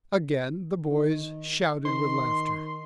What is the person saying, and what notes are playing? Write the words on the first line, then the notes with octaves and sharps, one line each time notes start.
Again the boys shouted with laughter.
D#3
D#3 C6